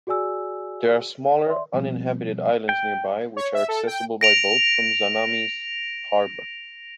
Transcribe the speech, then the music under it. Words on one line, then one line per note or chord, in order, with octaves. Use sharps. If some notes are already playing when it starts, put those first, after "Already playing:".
There are smaller, uninhabited islands nearby which are accessible by boat from Zamami's harbour.
F#4 G#4 D5 G#5 E6
D5 E5 C6
B2 F3 G3 C4
G5
C#5
E5
A4
G5
A#6 D7 F7